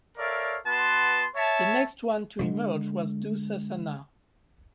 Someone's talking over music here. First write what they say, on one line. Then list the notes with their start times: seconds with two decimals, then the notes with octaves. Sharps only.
The next one to emerge was Dussasana.
0.17 A4 A#4 C#5 D5 E5 F5
0.66 B3 F#4 B4 A5 C6
1.35 C#5 E5 A5
2.39 D3 G#3